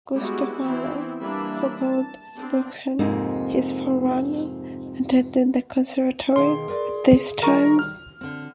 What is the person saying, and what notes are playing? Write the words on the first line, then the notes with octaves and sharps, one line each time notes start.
Gustav Mahler, who called Bruckner his "forerunner", attended the conservatory at this time.
G3 G#3 B3 E4 F#4 G4
E3 B3 C4 E4
E3 G3 A#3 D4 E5 B5
A5
B3 C4 D4
F2 G#2 C3 A#3 D#4
B2 D#3 G#4 F5 C6
A#4 B4 D5
D#3 G3 A#4 A#5 C#6
F6
D3 C4